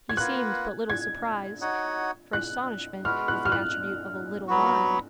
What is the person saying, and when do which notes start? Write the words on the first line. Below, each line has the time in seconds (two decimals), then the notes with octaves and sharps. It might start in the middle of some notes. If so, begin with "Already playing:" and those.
He seemed but little surprised, for astonishment is the attribute of a little mind.
0.09 G#6
0.17 A#3 F4 B4 F#5 F#6
0.90 G#6
1.61 D#4 F#4 C#5 F#5
2.33 F#6
3.04 G#3 B3 F#4 F6
3.28 F#6
3.45 F6
3.52 F#6
4.47 F#3 B3 F#4